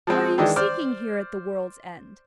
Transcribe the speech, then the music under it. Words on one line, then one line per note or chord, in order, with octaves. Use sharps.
What are you seeking here at the world's end?'
F3 G#3 C4
D#3 E3 G#3 D4 D#5
C5 D5 F6